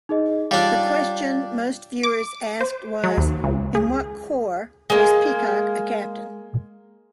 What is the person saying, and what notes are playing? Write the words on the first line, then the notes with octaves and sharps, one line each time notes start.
The question most viewers asked was: in what corps was Peacock a captain?
D#4 G#4 D#5
G3 D4 F4 C#5 F5
D6
C5
F#3
D#2
C#2
G#4
G#3 A#3